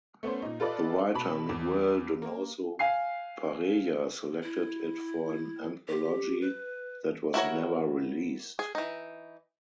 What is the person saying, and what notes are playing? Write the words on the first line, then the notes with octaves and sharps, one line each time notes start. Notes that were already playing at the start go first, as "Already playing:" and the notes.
The writer Miguel Donoso Pareja selected it for an anthology that was never released.
A3 B3 C#4 C5
A#2 D#4
F4 A4 B4 D5 D#5
B2 A5 B5
E2
A#3
F5 G#5 C7
E4
G4
B4
E4 F#4 A#4 C#5
G#4
E3 D#4